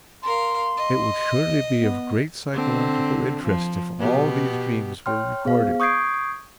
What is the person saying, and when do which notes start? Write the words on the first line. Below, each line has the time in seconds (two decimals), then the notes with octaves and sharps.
It would surely be of great psychological interest if all these dreams were recorded.
0.23 A#4 F5 C6
0.77 D#5
1.79 B3
2.53 D3 C4
3.43 F3
3.99 B2 B3 G4
5.06 C#5 G5 C6 F6
5.45 B3 G#4 C5 F5
5.80 C#6 D#6 G6 G#6 C7 D7